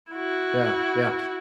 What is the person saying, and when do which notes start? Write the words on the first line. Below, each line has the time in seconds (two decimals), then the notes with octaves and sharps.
Yeah, yeah.
0.12 E4 F#4